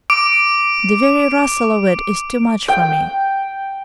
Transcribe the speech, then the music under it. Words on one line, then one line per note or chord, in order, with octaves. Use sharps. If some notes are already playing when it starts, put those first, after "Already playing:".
The very rustle of it is too much for me.
D6 D7
G5